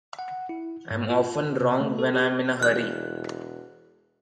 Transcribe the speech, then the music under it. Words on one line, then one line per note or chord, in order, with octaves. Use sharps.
I'm often wrong when I'm in a hurry.
F#5
E4
G#2
F4
C3
A3
A4
G4
E1 F6 F#6